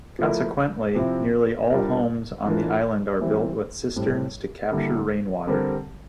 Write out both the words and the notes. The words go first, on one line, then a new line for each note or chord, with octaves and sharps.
Consequently, nearly all homes on the island are built with cisterns to capture rainwater.
F3 A3 E4 A#4
C3 F3 C4 E4
G3 D4 F4 A#4
E3 A3 D4 F4 A#4
E3 G3 C4 E4
A2 G3 C4
D3 G3 A#3 E4
D3 G3 C4 G4 A#4